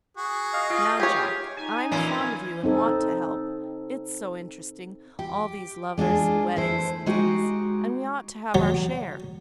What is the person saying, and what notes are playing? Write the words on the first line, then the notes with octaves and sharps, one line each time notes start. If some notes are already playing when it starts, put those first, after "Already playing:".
Now, Jack, I'm fond of you, and want to help; it's so interesting--all these lovers and weddings and things, and we ought to have our share.
F#4 G#4
D#5 F5
F4
G4 G#4 C#5
D#4 G#5
A#2 E3 C#4 F4
C4 D#4 A4
G4
G#3 D4 F4 G#4
A3 E4 B4 C5
G#3 D#4 F#4 G4
F#3